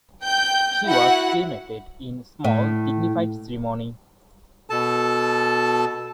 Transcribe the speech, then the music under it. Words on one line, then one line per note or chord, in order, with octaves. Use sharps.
She was cremated in a small, dignified ceremony.
G5 G6
E4 F#4 F#5
A2
B2 A4 A5